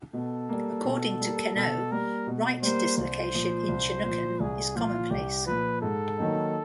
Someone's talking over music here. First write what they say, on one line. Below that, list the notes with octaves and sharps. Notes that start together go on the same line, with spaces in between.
According to Queneau, right dislocation in Chinookan is commonplace.
B2 A4
G3 A#3
B2
G3 A#3
B2 A4
G3 A#3 A#4
B2
G3 A#3 C5
C2 C5
A#2 F3
C2
A#2 F3
C2 G#4
A#2 F3 F4
C2 G4
A#2 F3 B4
G#2 A4
D#3 F#3 A#3 D#4